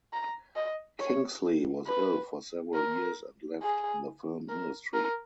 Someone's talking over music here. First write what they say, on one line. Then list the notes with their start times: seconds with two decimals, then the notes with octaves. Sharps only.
Kingsley was ill for several years and left the film industry.
0.13 A#5
0.56 D#5
1.00 C#5
1.87 B4
2.75 A#4
3.63 G#4
4.49 A#4
4.94 A#4